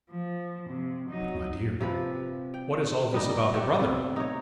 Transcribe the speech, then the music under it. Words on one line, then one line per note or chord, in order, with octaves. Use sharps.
"But, my dear, what is all this about her brother?"
F3
C3
F#3 D#4
C3 F3 B4
G5
G3 B3 D4 D#4
A3 G4
C3 B3
D#4 C#5